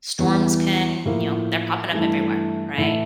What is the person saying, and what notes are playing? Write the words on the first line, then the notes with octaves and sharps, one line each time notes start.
storms can you know, they're popping up everywhere, right?
E2 E3 G3
A2 F3 A#3
G2 E3 A3 E4
A2 E3 A3 E4 A4